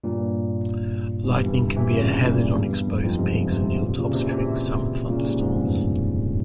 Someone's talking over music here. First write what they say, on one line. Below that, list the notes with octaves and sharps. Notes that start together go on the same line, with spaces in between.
Lightning can be a hazard on exposed peaks and hilltops during summer thunderstorms.
G2 A#2
G#2
E2 G2
C3 E3
C3 E3
A#2 C#3
G2 A#2
E2 G2
E2
F2
F2 G#2
G#2 C3
C3 E3
G2
G#2
A#2
C3
A#2 C#3
C3 E3
C3 E3
A#2 C#3
G#2 C3
F2 G#2
E2 G2